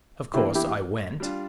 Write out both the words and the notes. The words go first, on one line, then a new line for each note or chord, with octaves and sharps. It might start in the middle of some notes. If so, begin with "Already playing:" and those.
Of course I went.
E2 E3 A#3 D4 E4 G4
E4 G4
G3 D4 F4